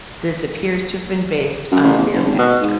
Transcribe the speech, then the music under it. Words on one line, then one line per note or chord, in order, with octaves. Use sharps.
This appears to have been based on "Fear Factor".
F#2
A1
E2
F#1
G#1
B2
G#2